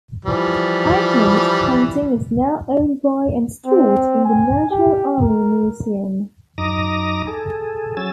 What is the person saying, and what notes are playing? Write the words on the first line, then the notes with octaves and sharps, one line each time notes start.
Aikman's painting is now owned by and stored in the National Army Museum.
E3 F3 G3
C4
G#5
G4
A#4
F#2 D#4 A#5 D6 D#6 A#6
G#4 A4
F#3 C#4 G#5 E6 A6